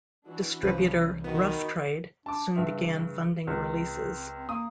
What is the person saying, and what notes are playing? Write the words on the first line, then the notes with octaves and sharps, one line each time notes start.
Distributor Rough Trade soon began funding releases.
E3 D4 F#4
C2 C3 E3 F3 C4 C#4 B4
D#3 B3 D#4 F#4 B5
D4 A5 D6
G2 C#3 E5
C#2 C4
A#3 D#6